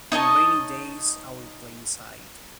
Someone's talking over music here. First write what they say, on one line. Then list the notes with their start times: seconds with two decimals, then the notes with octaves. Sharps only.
On rainy days I will play inside.
0.12 D#4 C#5 D#5 A5